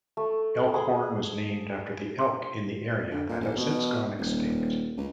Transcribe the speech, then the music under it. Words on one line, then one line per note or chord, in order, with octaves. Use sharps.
Elkhorn was named after the elk in the area that have since gone extinct.
A3
G#4
C6
D3
A#2
A1
B2
D#1
C#2